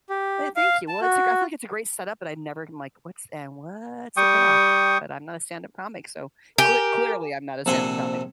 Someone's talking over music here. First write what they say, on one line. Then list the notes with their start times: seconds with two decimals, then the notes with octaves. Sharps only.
Eh, thank you. Well, it's lik I feel like it's a great setup, but I never like, what's and what's the payoff? But I'm not a stand-up comic, so cle clearly I'm not a stand-up comic.
0.10 G4
0.56 F5
0.88 A5
1.02 F#4
4.17 G3 G5 C#6 D#6
6.58 G4 A#4 G#5
7.66 A#1 C3 A4 F#5 G#5 C6